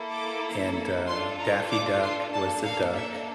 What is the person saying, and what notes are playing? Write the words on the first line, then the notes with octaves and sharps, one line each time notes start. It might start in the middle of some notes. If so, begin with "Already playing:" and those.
and, uh, Daffy Duck was the duck.
Already playing: A#3 E4 A4
D6
D4 F4 A4 C6
A#5
D6
C6
A#3 D4 A4 A5
F5
E5